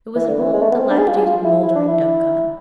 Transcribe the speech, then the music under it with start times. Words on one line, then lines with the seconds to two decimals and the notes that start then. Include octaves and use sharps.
It was an old, dilapidated, mouldering dovecot.
0.16 E3
0.28 D3
0.40 E3
0.53 G#3
0.63 A3
0.72 B3
0.80 C4
0.90 D4
0.99 G#4
1.08 F4
1.17 G#4
1.26 F4
1.44 E4
1.63 E4
1.75 D4
1.88 E4